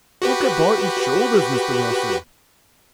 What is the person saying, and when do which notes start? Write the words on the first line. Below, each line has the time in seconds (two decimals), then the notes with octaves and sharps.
"Look at Barton's shoulders, Mr. Wilson."
0.22 F#4 G4 B4